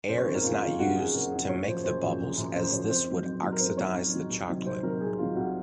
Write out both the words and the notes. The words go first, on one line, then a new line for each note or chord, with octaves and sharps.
Air is not used to make the bubbles as this would oxidize the chocolate.
F#1 C5
C#5
F2 D#3 C5
A#4
F#1 F4
F2 D#3 F4
F#1 F#4
F2 D#3 G#4
F#1 A#4
F2 D#3
F#1 C#5
F#2 F3 C5
F#1 C5
F#2 F3
F#1
F#2 F3
F#1 C5
F#2 F3 C#5
F2 C5
D#3 F#3
F2
D#3 F#3
A#4
F2 C5
D#3 F#3 C#5
F2
D#3 F#3
C2
C3 D#3 F#3
C2 C5
C3 D#3 F#3 A#4
C2 G#4
C3 D#3 F#3 F4
C2 F#4